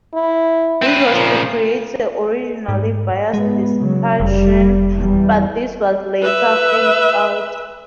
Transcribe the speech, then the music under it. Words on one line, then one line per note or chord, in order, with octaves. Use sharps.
This was to create a regionally biased discussion, but this was later phased out.
E4
C4 B4
A#2 C#3 F3
G#2
G#2 G#3 B3
C#3 F#3
F1 G3
E2 E3 G3
B4 E5